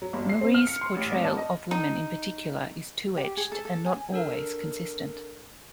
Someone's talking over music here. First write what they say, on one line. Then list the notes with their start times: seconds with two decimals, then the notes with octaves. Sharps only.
Marie's portrayal of women in particular is two-edged and not always consistent.
0.02 F#3
0.13 G1
0.29 C7
0.41 C4
0.54 F6
0.67 C#7
0.81 C6
0.97 A1
1.12 G#1
1.24 A5
1.37 D#5
1.71 D#4
3.17 G4
3.37 G#4
3.52 A4
3.65 A4
3.86 G#5
4.12 D4 A4 A#4